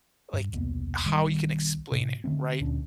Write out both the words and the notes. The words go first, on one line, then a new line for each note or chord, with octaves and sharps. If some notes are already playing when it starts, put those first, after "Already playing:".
like, how you can explain it, right?
G2
E1 C2 A#3 B3
B1 D#3 G3
A2 C3
D3 F3 A3 C4
D2 A#2 C#4 D4